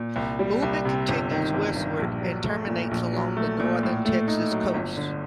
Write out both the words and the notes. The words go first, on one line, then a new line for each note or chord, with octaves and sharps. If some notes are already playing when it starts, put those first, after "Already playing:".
Movement continues westward and terminates along the northern Texas coast.
Already playing: A#2
C2
G3
C2
C3
G1
D#3
G1
G2
A#1
F#3
A3
A#2
A#1
F#3
A3
A#2
A2
A3
D#4
F#3
G1
D3